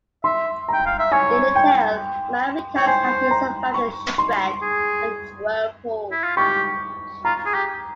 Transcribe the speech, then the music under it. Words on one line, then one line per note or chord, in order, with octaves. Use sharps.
In the tale, a man recounts how he survived a shipwreck and a whirlpool.
E5 C6
A#5
G5
F5
E5
C#5 G#5
G5
C#5 G5
C5 G#5
A#5
C#6
C6
G#4
E4
F4
G4 C#6
F4 A#5
G#4
G4